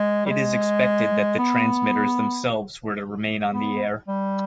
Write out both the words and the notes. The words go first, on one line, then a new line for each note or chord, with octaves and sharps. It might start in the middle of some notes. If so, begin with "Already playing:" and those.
It is expected that the transmitters themselves were to remain on the air.
Already playing: G#3
G3
G#3
B3
B3
G3